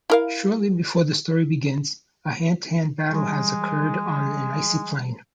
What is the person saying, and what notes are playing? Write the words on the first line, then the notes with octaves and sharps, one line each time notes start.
Shortly before the story begins, a hand-to-hand battle has occurred on an icy plain.
E4 A#4 F5
E3 G3 G#3